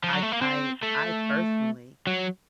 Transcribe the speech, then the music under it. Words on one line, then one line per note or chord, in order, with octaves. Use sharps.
I ca I I personally,
F3
F#3
A3
A#3
C4
A3
F#3